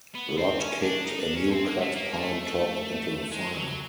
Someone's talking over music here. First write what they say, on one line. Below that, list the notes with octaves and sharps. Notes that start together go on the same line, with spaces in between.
Rod kicked a new-cut palm-top into a fire.
B3
C4
C#4
D4
D#4
D4
C#4
C4
A#3
A3
A#3
A3
G#3
F#3